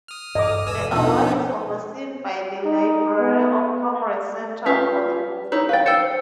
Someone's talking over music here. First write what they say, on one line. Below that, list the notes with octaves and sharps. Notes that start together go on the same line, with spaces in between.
The award is overseen by the Library of Congress Center for the Book.
D#6 F6
G2 A4 D#5 D6
E1 B4 G#5 D#6 E6
B2 F3 B3 D4 D#4 F4 F#5
D#4
B3
C#4 F4 G4 B4 B6
D#4 E4 C#5
B4 C5 F5 G5 A6
C5 G5 E6 C#7